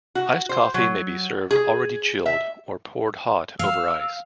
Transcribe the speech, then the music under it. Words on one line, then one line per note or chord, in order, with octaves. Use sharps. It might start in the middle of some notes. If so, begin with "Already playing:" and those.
Iced coffee may be served already chilled, or poured hot over ice.
F#4
C5
F#3
G#4
E5
F5 E6